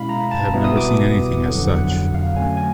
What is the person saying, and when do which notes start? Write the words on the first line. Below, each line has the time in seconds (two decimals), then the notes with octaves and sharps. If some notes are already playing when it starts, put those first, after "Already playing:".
I have never seen anything as such.
Already playing: B2 G#3 C#4 E4 F5 B5
0.09 A#5
0.31 A5
0.54 B2 G3 B3 E4
0.64 D#6
0.77 D6
1.45 F2 D3 F#3 F#5
1.68 F#5
2.15 F5
2.36 D3 F#3 A3 C#4 G#5
2.57 G#5